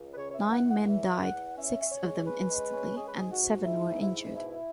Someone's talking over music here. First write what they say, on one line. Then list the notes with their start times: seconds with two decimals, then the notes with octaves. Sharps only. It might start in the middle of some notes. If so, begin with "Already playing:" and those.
Nine men died - six of them instantly - and seven were injured.
Already playing: C#2
0.13 B4
0.17 C#3 C#5
0.31 C#5
0.35 E5
0.41 E3
0.52 F#5
0.65 E3
0.70 F#5
0.88 E2 E5
1.11 E2
1.22 F#5
1.33 E2
1.57 C#4 E5
1.80 C#4 E5
1.91 C#5
2.03 G#3
2.26 C#4 B4
2.49 G#3
2.73 C#4
2.96 G#3 G#4
3.07 B4
3.19 G#2 G#4
3.32 F#4
3.42 G#2
3.65 G#2 E4
3.90 G#2
4.01 E4
4.12 G#2
4.35 B2 E4